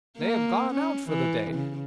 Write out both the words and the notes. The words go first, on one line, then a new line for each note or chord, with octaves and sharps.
They have gone out for the day.'
A#3
C#4
E3
C#3